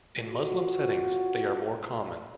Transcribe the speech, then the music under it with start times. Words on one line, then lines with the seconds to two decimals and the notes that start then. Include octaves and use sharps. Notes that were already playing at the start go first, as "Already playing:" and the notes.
In Muslim settings they are more common.
0.24 F4 F#4